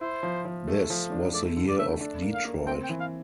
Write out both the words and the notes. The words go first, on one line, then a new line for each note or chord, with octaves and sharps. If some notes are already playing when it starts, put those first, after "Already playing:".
This was the year of Detroit.
E4 C5
F3
F3
A3
F3
D4
A3 D5
D3
D5
A3 E5
D4
A#3
F5
A#3
C4 G5
G5
E3
F5